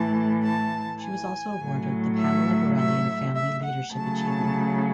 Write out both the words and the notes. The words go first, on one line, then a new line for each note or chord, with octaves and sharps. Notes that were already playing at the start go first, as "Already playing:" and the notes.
She was also awarded the Pamela Borelli and Family Leadership Achievement Award.
Already playing: A2 E3 A3 A5
A5
G#5
A2 F#3 A3
E5
E5
E5
F#5
C#3 F#3 A3 A5